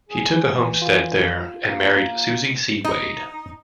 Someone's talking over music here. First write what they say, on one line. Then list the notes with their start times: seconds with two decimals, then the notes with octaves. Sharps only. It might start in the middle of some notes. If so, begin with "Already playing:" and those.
He took a homestead there and married Susie C. Wade.
0.09 G#4
0.50 E3
0.82 F4
1.66 A#3
2.85 D#4